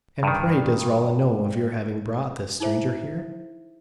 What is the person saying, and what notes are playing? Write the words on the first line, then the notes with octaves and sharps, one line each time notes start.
"And, pray, does Rowland know of your having brought this stranger here?"
G2 D#3
D#4 E4 G#4 C5 E5